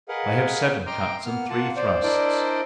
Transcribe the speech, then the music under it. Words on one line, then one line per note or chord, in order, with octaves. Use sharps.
They have seven cuts and three thrusts.
G#4 A#4 B4 D#5 F5 F#5
D#5 G5 A#5 C6 D6 F6
A#3 B3 F6
A#3 F4 F#5 A5
C5 D5
D4 E4 A#4 C5 D5 D#5